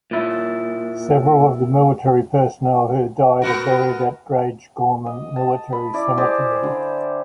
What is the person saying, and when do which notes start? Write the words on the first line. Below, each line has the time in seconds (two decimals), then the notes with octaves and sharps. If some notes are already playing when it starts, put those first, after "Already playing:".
Several of the military personnel who died are buried in Grangegorman Military Cemetery.
0.11 A#2 E4
3.42 B3 F#4 A#4
5.06 D#5
5.36 A5
5.73 B5
5.94 E4 D5
6.18 G4 G#4 C5 D5
6.63 D3